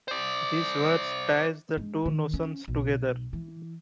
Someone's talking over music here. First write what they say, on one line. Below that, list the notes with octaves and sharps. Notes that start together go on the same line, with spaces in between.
This verse ties the two notions together.
C5 D5
G#3 D4
D#3
C#4
B1
E3